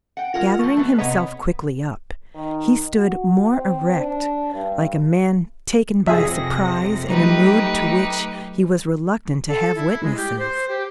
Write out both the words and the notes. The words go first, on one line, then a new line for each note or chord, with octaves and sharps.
Gathering himself quickly up, he stood more erect, like a man taken by surprise in a mood to which he was reluctant to have witnesses.
F#5 G5
G#3 F4 A#4 F#5
F3 A3 C#6
E3 G#3 B3
C3 B3 C#5 D#5 A#5 B5 B6
D#3
F#4
C4
D4
G2
F2 C3 F3 G#4 E5 A#6
F#3 A3 D#4 G4 B4
A4
E4
G#3
G4
C5
G4